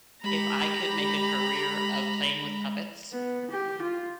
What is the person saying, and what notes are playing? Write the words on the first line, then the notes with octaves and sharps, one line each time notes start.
if I could make a career of playing with puppets,
G#3 G4 A#5 B5
B3
G4
F4